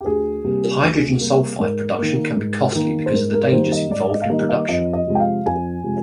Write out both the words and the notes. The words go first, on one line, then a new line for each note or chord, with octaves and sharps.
Hydrogen sulfide production can be costly because of the dangers involved in production.
G4
D2 G#4
C3 G3 A#3
D2
C3 G3 A#3
G#2 A#4
D#3 A#3
G#2
D#3 A#3
C5
G#2 A#4
A#4
D#3 G3 A#3 C5
D#5
G#2 D5
D#5
F5
D#3 G3 A#3 D#5
D#5
F2 D#5
D#5
C3 F3 G#3
G5
F5
F2 G#5
C3 F3 G#3